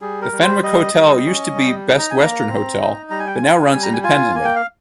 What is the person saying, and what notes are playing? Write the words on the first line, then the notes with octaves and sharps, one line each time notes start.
The Fenwick Hotel used to be Best Western Hotel but now runs independently.
G3 G#4
A#4
G3
C5
G3 D#5
G3
C#4
G3
D#4
A#5
G#5
A#3 A#5
C4
D#4
G3 A#5
G#5
G5
G#5
F4
G3 G#5
A#5
G#5
F4 G#5
A#3 G#5
G5
F5